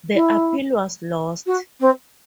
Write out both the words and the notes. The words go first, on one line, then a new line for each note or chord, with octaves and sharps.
The appeal was lost.
E4
F#4
C4